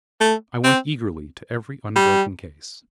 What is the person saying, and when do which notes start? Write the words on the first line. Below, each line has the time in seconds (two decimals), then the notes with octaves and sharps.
I went eagerly to every unbroken case.
0.21 A3
0.64 C4
1.96 G3